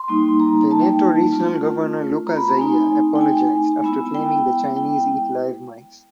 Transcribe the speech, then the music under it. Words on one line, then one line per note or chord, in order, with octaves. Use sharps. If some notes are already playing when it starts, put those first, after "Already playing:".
Veneto regional governor Luca Zaia apologized after claiming the Chinese eat live mice.
Already playing: C6
G3 A#3 D#4
A#5
A5
G5
A5
A3 C#4 F4
A#5
B5
A#5
A3 C4 D#4 G#5
G5
G#5
G#3 B3 E4
G5
G5